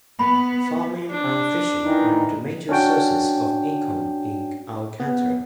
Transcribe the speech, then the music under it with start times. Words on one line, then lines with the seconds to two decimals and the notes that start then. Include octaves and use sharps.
Farming and fishing are the major sources of income in Alcantara.
0.19 B3 B5
1.10 D4
1.84 D#3 E3 D#4
2.69 C#4 D4 F#4 G5
5.00 B3